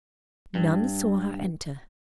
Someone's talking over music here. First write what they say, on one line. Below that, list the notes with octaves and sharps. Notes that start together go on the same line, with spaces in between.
None saw her enter.
G2